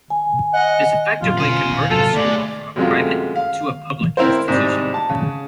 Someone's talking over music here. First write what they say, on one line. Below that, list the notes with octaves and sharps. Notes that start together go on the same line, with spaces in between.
This effectively converted the school from a private to a public institution.
G#5
D#5 F#5
A#2 F#3 G3 F4
D2 B2 C#4 F5 G#5
E1 B1 B2
G#2 C3 F#3 F4 A4
D#2 G#3 A3 D5
F#2 C3 G#3 A3 F4
F5
C4 E4 A#4 C5
G#2 C3 G3
A5
C#3